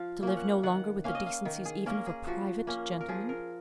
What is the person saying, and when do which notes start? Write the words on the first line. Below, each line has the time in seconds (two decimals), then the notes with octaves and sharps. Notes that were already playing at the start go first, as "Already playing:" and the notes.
To live no longer with the decencies even of a private gentleman!
Already playing: F3 F5
0.23 A#3 C#4
0.37 F#5
0.63 D#3 F#5
1.04 A#3 C#4 F5
1.15 D#5
1.26 F5
1.45 D#3
1.65 G#4
1.86 A#3 C#4 A#4
2.06 G#4
2.27 F3 F#4
2.67 A#3 C#4
3.01 A#4
3.08 F3 G#4
3.29 A#4